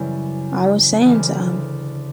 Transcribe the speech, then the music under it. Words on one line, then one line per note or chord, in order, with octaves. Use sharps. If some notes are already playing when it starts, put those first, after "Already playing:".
I was saying to 'em.
Already playing: F#2 C#3 E3 G3 B4
D2 C#3 E3